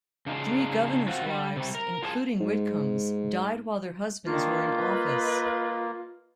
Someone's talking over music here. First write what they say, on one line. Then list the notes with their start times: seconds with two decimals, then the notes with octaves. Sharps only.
Three governors' wives, including Whitcomb's, died while their husbands were in office.
0.26 C#3 D4 D#4 F4 G#4
1.08 C4 F4 F#4
1.26 G3
1.56 C3 G3
1.75 A#4
2.03 F4 G#4 A5
2.41 G#2
4.27 D#3 A#3 D4 F4
4.77 B4 D#5